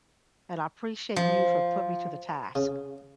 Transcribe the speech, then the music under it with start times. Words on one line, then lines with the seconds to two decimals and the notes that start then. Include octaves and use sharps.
and I appreciate you for putting me to the task.
1.16 F3
2.55 C#3